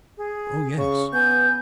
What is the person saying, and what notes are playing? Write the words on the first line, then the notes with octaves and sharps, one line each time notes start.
"Oh, yes!"
G#4
C#3 C#6
B3 G#5 G6